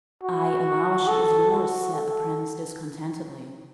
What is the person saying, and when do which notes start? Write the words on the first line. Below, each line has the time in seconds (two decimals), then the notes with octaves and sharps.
"I allow she is yours," said the prince, discontentedly.
0.23 F#4
1.08 A4
1.51 F#4
1.94 A4